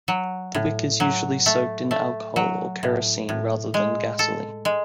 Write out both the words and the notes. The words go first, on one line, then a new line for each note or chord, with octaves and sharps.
The wick is usually soaked in alcohol or kerosene, rather than gasoline.
F#3
A2
F#3
A3
A3
F#3
A2
A2
G#3
A4
G#3